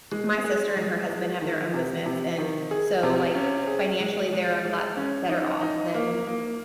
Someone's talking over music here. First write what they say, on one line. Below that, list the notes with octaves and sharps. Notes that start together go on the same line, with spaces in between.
my sister and her husband have their own business and so like, financially they're a lot better off than
G#3
G#4
G#3
G#3
D#3
C3
C3
D#3
G#4
C3
C#4
G#4
G#3
G#3
G#3
C#4
D#4
D#4
A#3
A#3